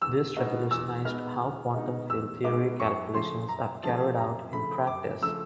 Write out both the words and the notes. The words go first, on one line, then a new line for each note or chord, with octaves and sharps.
This revolutionized how quantum field theory calculations are carried-out in practice.
E2 E6
B2 G#3 B3 D#4
E2 E6
B2 G#3 B3 D#4 F6
E2
B2 G#3 B3 D#4
E2 E6
B2 G#3 B3 D#4 D6
F#2 C#6
C#3 F3 A3 C6
F#2 A#5
C#3 F3 A3 A5
F#2 A#5
C#3 F3 A3 B5
F#2 D6
C#3 F3 A3 E6